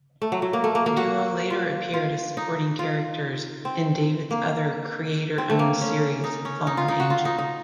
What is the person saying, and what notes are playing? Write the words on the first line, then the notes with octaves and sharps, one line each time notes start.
The duo later appeared as supporting characters in David's other creator-owned series, "Fallen Angel".
A3
F#3
F#3
A#3
A3
A#3
A#3
F#4
F4
F4
D#4
F4
C4
A#3
C4
A3
A#3
C#4
D#4
C#4
D#4
F4
D#4
F#4
F4
D#4
D#4